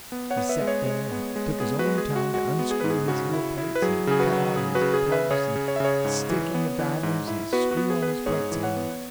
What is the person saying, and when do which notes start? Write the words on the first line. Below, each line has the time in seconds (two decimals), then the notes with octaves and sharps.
He set there and took his own time to unscrew his heelplates and cut out his plugs and stick in the di'monds and screw on his plates again.
0.12 B3
0.30 C#5 F#5
0.37 B3
0.49 B4 E5
0.61 G#3
0.67 G#4 C#5
0.86 G#3
1.12 B3
1.36 G#3
1.60 B3 G#4
1.79 F#4 B4
1.85 G#3
1.98 G#4
2.10 G#3
2.16 F#4
2.34 G#3 F#4
2.59 B3
2.71 G#4
2.81 G#2 B4
2.90 G#4
3.08 C#3 F#4
3.33 E4
3.58 E4
3.75 B4
3.82 F#3 G#4
4.07 C#3 G#4
4.20 F#4 B4
4.32 F#3
4.56 C#3 G#4
4.75 F#4 B4
4.81 C#3
4.94 G#4
5.06 C#3
5.12 B4 E5
5.30 C#3 G#4 C#5
5.56 C#3
5.68 C#5
5.76 E5
5.80 C#3 G#4 C#5
6.04 G#2
6.30 E3
6.54 B3
6.79 E3
7.03 G#2
7.28 E4
7.53 B3 F#4 B4
7.71 F#4
7.77 B3
7.90 G#4
8.02 B3 B4
8.08 G#4
8.26 G#2 G#4 C#5
8.52 E3
8.63 C#5 F#5
8.77 B3